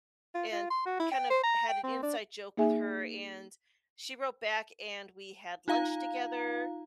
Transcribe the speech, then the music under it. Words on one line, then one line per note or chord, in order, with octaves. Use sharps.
and kind of had an inside joke with her, and she wrote back and we had lunch together,
F4
F4
C6
F#4
E4
G5
C5
A#5
G5
C4
D4
A#3 D#4 G#4 E5 G#5
D#4 F4 F5 A#5